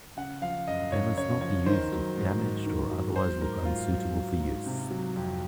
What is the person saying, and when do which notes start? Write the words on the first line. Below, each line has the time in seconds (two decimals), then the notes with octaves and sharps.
They must not be used if damaged or otherwise look unsuitable for use.
0.17 C#3 F#5
0.42 F3 F5
0.68 F#2 D#5
0.92 F#2 C#5
1.16 C#3 C#5
1.41 F3 C#5
1.66 D#3 C5
1.92 F#3
2.17 G#2
2.41 G#2
2.66 D#3
2.91 F#3
3.16 F#3 C5
3.41 G#2 A#4
3.65 G#2 F4
3.91 F#3
4.15 F#3
4.40 G#2
4.66 C3
4.91 F#3
5.16 F2